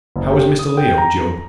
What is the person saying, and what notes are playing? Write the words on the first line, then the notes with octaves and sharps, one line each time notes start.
"How is Mr. Leo, Job?"
F#1
G4
D#6
G5
A#5